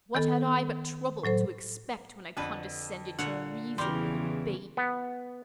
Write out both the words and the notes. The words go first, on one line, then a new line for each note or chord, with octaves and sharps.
'What had I but trouble to expect, when I condescended to reason with a baby!
D#3 B3 A4
A2 F#3 A4 C5
F2 D3 A4 B4
A#2 D3 C#5 F#5
E2 C#3 E3 G3 A#4 C6
B3